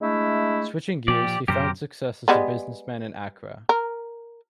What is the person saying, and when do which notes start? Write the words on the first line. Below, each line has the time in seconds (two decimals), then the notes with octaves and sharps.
Switching gears, he found success as a businessman in Accra.
0.01 G#3 A3 D4 E4
1.08 A#2 F3 G4 D5
1.48 F#2 B2 D3 G4 A#4 C5
2.28 G3 G#3 B3
3.69 A#4